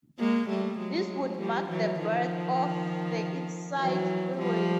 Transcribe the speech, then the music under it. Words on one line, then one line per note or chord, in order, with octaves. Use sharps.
This would mark the birth of the Eastside Freeway.
G#3 A#3
G3 A3
F#3 G#3
F3 G3
E3 F#3
D#3 F3
E3 F#3
F3 G3